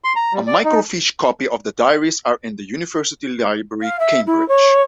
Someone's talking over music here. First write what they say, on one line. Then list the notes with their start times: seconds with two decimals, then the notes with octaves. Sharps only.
A microfiche copy of the diaries are in the University Library, Cambridge.
0.04 C6
0.16 A#5
0.33 G3
0.47 D5
0.64 D#4
3.82 F5
3.99 E5
4.26 E4
4.48 C#5